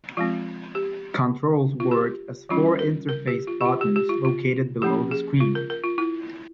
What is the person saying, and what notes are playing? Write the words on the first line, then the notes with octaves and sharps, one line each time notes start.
Controls work as four interface buttons located below the screen.
F3 G#3 C4 F4
G4
F4
G4
E3 G3 C#4 F4
A#4
A#4
G4
F4
G4
F4
G4
G4
F4
F4
F3 A#3 C#4 G4
G#4
F4
A#4
A#4
F4
E4